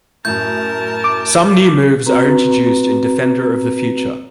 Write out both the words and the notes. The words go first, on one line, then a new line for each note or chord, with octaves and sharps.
Some new moves are introduced in Defender of the Future.
F#2 A2 A#4 A5 G6
D6
C4 F#4 B4 A#5